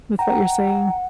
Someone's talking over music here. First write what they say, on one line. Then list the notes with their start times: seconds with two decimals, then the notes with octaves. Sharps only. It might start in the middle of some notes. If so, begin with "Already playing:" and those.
with what you're saying.
0.19 F#5 G5 A#5